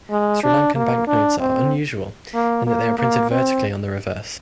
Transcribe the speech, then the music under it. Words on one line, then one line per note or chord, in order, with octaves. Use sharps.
Sri Lankan banknotes are unusual in that they are printed vertically on the reverse.
G#3
D4
A#3
D4
C4
A#3
A#3
A#3
C4